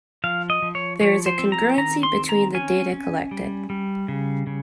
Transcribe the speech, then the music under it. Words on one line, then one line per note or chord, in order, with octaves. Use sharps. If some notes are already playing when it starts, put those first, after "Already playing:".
There is a congruency between the data collected.
F3 F5
D#5
F3
C#5
F3 C#5
C5
C4
A#5
D#3 A#5
C6
C4
A#5
C#4 G#5
C#4
G3
G3
C#3
C#3